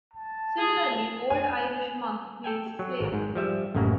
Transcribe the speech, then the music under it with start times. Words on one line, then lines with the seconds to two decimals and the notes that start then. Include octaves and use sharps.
Similarly Old Irish mug means slave.
0.14 A5
0.58 G#4
1.30 G#5
2.44 A4 G5 G#5
2.79 F#3
3.00 G#1 A#4
3.13 G#2
3.35 F3 G3 E5
3.75 A1 F#2 C#3 A#3